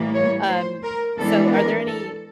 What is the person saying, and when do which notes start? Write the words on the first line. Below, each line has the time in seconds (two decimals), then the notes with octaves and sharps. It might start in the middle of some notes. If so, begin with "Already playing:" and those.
Um, so, are there any
Already playing: A2 E3 G3 A#3
0.14 C#5
0.48 C5
0.84 A#4
1.18 E3 G#3 B3 D4 A4
1.53 A#4
1.87 A4